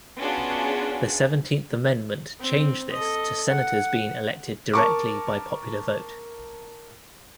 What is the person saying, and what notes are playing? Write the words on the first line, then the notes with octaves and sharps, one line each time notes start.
The Seventeenth Amendment changed this to senators being elected directly by popular vote.
B3 C#4 D4 F4 F#4 G#4
C4
A4 D#5
F#5
A#4 A5 C#6 D6